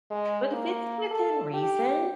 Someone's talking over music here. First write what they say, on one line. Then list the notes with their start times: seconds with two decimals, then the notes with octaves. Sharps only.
But if it's within reason,
0.10 G#3
0.52 A#3
1.11 A4
1.54 G4